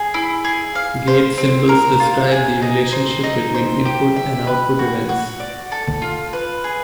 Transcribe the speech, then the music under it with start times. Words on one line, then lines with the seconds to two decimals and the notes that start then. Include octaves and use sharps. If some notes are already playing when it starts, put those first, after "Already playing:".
Gate symbols describe the relationship between input and output events.
Already playing: G#4
0.14 E4
0.44 G#4
0.75 F5
1.08 C5
1.38 C4
1.69 A#4
2.00 F4
2.31 G#4
2.62 D#4
2.92 C4
3.23 D#4
3.54 C5
3.85 G4
4.16 E5
4.47 B4
4.79 F#4
5.09 F#4
5.40 D5
5.72 A4
6.02 F4
6.33 B4
6.64 G#4